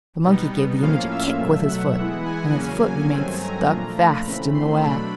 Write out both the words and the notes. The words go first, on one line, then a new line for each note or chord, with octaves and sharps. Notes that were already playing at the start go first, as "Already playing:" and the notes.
The monkey gave the image a kick with his foot and his foot remained stuck fast in the wax.
B2 G3 B3 D#4
A2 F3 A#3 C#4 F4 F5
E5
B2 F#3 A3
F#5
E3 G#3 B3 E4
G#5
E2 C#3 F#3 A#3 C#4
G2 D#3 F#3 A3 C4
A#5
A#2 F3 A3 D4 F4
B5
C#3 E3 A3 C4
C6
B2 F#3 A3 D4 B5